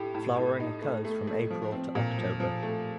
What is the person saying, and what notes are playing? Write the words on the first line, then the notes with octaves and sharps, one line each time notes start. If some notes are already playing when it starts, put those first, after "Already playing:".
Flowering occurs from April to October.
Already playing: A2 G4
A2
A2
D#4
A3
A3
A3
F3
C4
A#2
F3
F3
A3